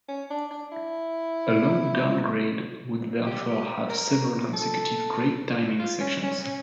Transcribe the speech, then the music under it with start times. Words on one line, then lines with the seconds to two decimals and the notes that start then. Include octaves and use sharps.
A long downgrade would therefore have several consecutive grade-timing sections.
0.09 C#4
0.30 D4
0.51 D4
0.72 E4
3.26 G4
3.89 A#4
4.53 A4
5.79 F4
6.00 C#4
6.23 C#4
6.43 C#4